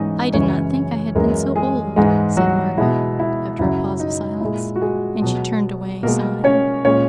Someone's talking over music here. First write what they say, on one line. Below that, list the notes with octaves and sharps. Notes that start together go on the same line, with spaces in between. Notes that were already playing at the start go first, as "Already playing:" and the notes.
'I did not think I had been so old,' said Margaret after a pause of silence; and she turned away sighing.
Already playing: G#2 E3 G#3 C#4 D#4 D#5
F#2 C#3 E3 G#3 C#4 C#5
F#2 E3 G#3 A#3 A#4
G#3 G#4
G#2 E3 G#3 G#4
F#3 F#4
B2 G#3 E4
E4
F#2 C#3 F#3 E4
D#4
A#2 G#3 E4
F#4
G#3 G#4
B2 F#3
B2 G#3 A#3 A#4
C#4 C#5
A#2 G#3 C#4 C#5